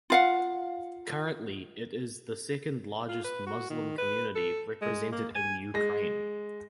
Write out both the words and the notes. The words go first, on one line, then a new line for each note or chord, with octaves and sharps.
Currently it is the second largest Muslim Community represented in Ukraine.
F4 F5 F#5
F4
B4
F#4
D#3
B4
A4
G#3
A#3
G#5
G#3 A#6